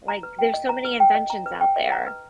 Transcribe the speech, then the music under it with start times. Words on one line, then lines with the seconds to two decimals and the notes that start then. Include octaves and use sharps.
Like, there's so many inventions out there.
0.08 A#5
0.23 B4
0.39 G5
0.54 D#5
0.69 A#5
0.85 B4
1.00 G5
1.15 D#5
1.30 A#5
1.46 B4
1.61 G5
1.76 D#5
1.92 A#5
2.07 B4